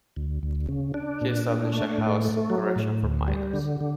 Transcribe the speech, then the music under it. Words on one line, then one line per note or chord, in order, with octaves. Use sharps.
He established a house of correction for minors.
D2
D2
C#3
D4
A#2
D4
A3
A2
A3
F#3
A2
D2
G3
D3
D3